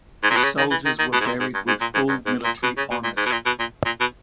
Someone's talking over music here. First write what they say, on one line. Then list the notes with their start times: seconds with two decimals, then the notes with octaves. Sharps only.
The soldiers were buried with full military honours.
0.23 G#2
0.30 A#2
0.37 B2
0.44 C#3
0.58 D#3
0.71 E3
0.86 D#3
0.99 D#3
1.13 B2
1.20 G#2
1.26 A#2
1.40 G#2
1.54 G2
1.67 G#2
1.81 A#2
1.95 G#2
2.09 G2
2.26 G#2
2.45 A#2
2.63 B2
2.77 C#3
2.91 B2
3.04 A#2
3.17 G#2
3.26 B2
3.32 A#2
3.46 B2
3.60 A#2
3.86 A#2
4.00 B2